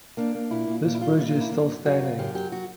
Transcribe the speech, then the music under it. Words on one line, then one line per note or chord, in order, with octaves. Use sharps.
This bridge is still standing.
A#3 D4
A#3
A#2 E4
A#2
A#2
E4
G3 F4
A#2 E4
F4
A#3
E4
F#2
F#2
F#2 F#4
C#3
F#2 G4
F#3 G4
F#4